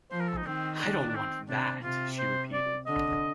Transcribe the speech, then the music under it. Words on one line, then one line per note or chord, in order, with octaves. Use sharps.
"I don't want that," she repeated.
F3 C5
A#4
A4
D#4
D#3 C4
D4
D4
C4
C3 D4
C3 F4
C5
D5
D3 D#5